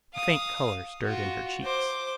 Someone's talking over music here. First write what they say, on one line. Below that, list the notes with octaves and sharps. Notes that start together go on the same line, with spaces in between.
A faint colour stirred in her cheeks.
F5 D#6
F4 F#4
C5 D6